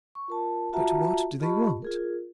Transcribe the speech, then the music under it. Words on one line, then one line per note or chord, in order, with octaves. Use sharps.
"But what do they want?"
C#6
F4 A#4 A5
F4 F#4 E5 F#5 A5 A#5
F4 G4 D#5 A5 B5 C#6
F4 G#4 A#4